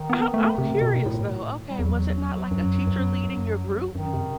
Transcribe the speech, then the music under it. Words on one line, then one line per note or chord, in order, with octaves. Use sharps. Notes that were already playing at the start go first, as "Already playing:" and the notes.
I'm I'm curious though, okay, was it not like a teacher leading your group?
Already playing: D#3
B3
A3
C3
B2
A2
G3
E2 F#3
F#2
F#2
F#2
F#2 D#3
C3